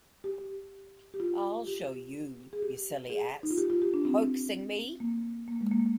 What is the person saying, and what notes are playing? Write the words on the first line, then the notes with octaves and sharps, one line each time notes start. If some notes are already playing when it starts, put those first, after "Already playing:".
I'll show you, you silly ass — hoaxing me!
G4
G4
F4
G4
G#4
G4
G#4
D#4
F4
G4
F4
G4
D4
C4
A#3
A#3
G#3
A#3